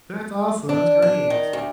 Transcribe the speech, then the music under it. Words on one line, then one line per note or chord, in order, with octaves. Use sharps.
That's awesome. That's great.
D4
D4
D#3
D2